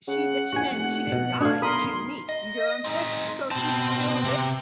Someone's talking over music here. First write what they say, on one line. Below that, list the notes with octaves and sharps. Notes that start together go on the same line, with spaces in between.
She d she didn't she didn't die. She's me. You get what I'm saying? So she's still there
C#3 F#5
A#1 F#4 G#5
F1
B2
D2 D4 F5 G#6
B1 A#4 B5 C6 D#6
D#5
C4 D#4
B2 C4 A5
C3